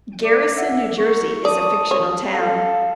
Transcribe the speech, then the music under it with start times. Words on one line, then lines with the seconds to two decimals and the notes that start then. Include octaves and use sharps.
Garrison, New Jersey, is a fictional town.
0.24 D5 D6
0.56 E5 F#5
0.98 A#4 C#6
1.45 D5 A5 D#6
1.91 C#5 A5
2.32 A4 F5